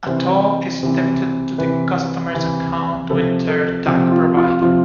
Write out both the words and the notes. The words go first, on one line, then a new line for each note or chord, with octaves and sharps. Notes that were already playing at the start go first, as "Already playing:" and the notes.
A toll is debited to the customer's account with their tag provider.
C3 E3 C5
C3 E3
C3 E3 B4
C3 E3
C3 F3 A4
A4
C3 F3 G4
F4
F4
C3 F3 F4